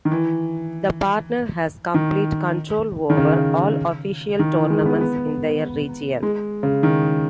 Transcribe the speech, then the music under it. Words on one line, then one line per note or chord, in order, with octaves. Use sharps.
The Partner has complete control over all official tournaments in their region.
D#3
E3
D#3
D#3
C#3
D#3
E3
G#3
B3
B3
G#3
C#3
D#3